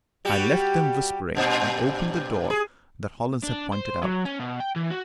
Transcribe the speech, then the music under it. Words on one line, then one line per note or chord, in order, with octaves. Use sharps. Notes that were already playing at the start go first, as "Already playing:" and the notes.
I left them whispering, and opened the door that Hollins had pointed out.
G3 F#4 G4
G2 A#2 C5
G#4
D4
C5
F#3
C#4
B2
G5
E3
F#4